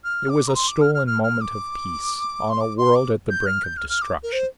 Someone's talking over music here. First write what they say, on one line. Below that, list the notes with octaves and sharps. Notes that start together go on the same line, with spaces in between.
It was a stolen moment of peace on a world at the brink of destruction.
F6
D6
A#5
C6
D6
F6
F6
F6
F6
D6
C6
D6
C6
D6
G6
F6
G6
F6
F6
D6
A#4
C5